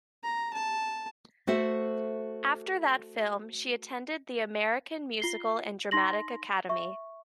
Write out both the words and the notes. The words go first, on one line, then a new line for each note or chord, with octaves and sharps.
After that film she attended The American Musical and Dramatic Academy.
A#5
A5
A3 F#4 A4 C5 E5
F4 C7 G7
D#4 C6 A#6 F#7
E5 C#6